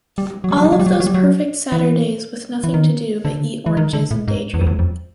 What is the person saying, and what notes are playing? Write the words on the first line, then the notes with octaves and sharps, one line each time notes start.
All of those perfect Saturdays with nothing to do but eat oranges and daydream.
G3
F#3
G3
F#3
G3
F#3
G3
F#3
G3
F#3
G3
F#3
E3
E3
D#3
D3
E3
D#3
D3
A2
G#2
E2
F2
E2
F2